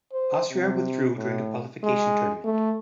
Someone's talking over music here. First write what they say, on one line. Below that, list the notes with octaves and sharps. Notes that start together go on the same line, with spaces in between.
Austria withdrew during the qualification tournament.
C5
C3
A2
G#3
A3